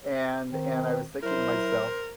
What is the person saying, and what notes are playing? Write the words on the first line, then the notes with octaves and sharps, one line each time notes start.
And and, I was thinking to myself,
D#3 C4
F#3 E4 A#4 C5